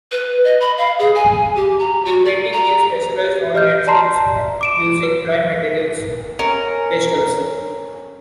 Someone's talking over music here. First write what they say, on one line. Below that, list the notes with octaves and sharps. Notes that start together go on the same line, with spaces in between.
In painting he specialised on landscapes using dry materials pastels.
B4
D#5
B5
F5
G#4
G#5
G4
A#5
F#4
D5
A#5
G4 D#5 F6 G6
D5 A5 A#5 C6 C7
D6 D7 E7
B4
C#4 A#4